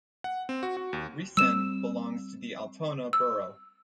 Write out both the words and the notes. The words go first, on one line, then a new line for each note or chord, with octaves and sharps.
Rissen belongs to the Altona borough.
F#5
C4
F#4
F#4
D#2
G3 C4 E6 E7
E6